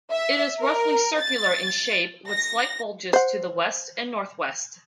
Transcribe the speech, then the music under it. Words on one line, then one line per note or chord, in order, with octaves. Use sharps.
It is roughly circular in shape, with slight bulges to the west and northwest.
E5
A#4
A6
A#6
C5 F#5